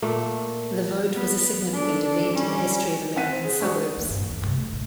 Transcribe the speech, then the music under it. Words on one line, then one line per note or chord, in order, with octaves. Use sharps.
The vote was a significant event in the history of American suburbs.
A#2 A3 A#3
B3
D4 A4
G3 C#4
C4 F#5 B6 D#7
C5
G#4
G#3 D4 F#4 G#4 C5
E2 A3
G2 A#2
G1 E2
G2 C3
A3
A#1 F#2